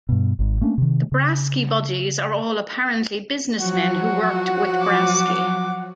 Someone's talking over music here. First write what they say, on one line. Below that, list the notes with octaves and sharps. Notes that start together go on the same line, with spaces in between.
The Brasky Buddies are all apparently businessmen who worked with Brasky.
G2 B2
G#1 G#2
A3 A#3 C#4 D4
C3 D#3
C#3
F3 F#3 F#4 F#5
D6